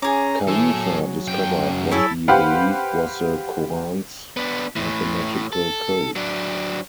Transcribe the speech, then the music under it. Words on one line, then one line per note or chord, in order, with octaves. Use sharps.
Khalifa discovered what he believed was the Qur'an's mathematical code.
C#4 G#4 A#5 D6
E3 A4 C#5
F#3
F#2 G5
E4 G#4 A4 C#5
G4 B4 C5 F5 F#5
B3 D4
A2 E3
A4
F#3 D4